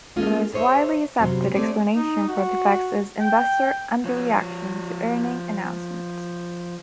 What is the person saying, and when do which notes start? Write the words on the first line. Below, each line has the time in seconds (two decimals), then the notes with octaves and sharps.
The most widely accepted explanation for the effect is investor under-reaction to earnings announcements.
0.16 G#3 A#3 C#4 F4 G#4 A4
0.53 G#4 C5 C#5 D#5 E5
1.20 G2 C3 F3 F#3 C4
1.56 A3 C4 G#4 C#5 D5
1.96 D#4
2.28 F#4
3.21 G5
4.05 F3 C#5